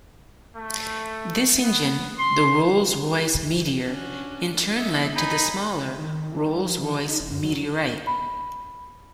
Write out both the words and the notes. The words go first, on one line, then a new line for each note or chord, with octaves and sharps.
This engine, the Rolls-Royce Meteor, in turn led to the smaller Rolls-Royce Meteorite.
A3
B3
C6
C#4 D4 F#4
D#5 E5
B3 D#4 G#5 B5
C#3
D#3
E3
G3
F3
D#3
D#4
F1
F#2
F#3
B5